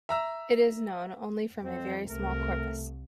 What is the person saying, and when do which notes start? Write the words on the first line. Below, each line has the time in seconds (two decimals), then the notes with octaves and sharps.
It is known only from a very small corpus.
0.09 E5 A#5 E6
1.64 F2 C4
2.09 C2 C3 A3 A#4